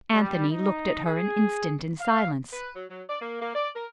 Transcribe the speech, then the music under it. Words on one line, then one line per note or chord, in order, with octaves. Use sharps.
Anthony looked at her an instant in silence.
G3
D#4
G#4
F5
B4
F#3
F#3
D5
A#3
A#3
D5
A#4